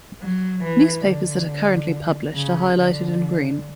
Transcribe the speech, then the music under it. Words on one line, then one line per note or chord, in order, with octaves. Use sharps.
Newspapers that are currently published are highlighted in green.
F#3
E3
D3
C#3
D3